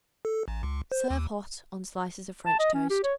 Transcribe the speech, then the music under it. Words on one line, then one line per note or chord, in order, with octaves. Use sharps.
Serve hot on slices of French toast.
A4
A1
C#2
C5
D#2
A5
D#5
C#4
G4
C#5